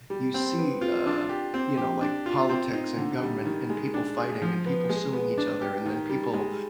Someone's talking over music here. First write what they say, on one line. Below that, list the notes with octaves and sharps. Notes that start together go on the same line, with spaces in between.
you see, uh, you know, like, politics and government and people fighting and people suing each other and then people,
G3
C4
B3
F4
D4
G4
C4
G4
D4
F4
C4
D#4
D3
G3
D#3
G#3
D4
G#4
F3
B3
G#3
B3
D4
G4
D#3
G3
G#3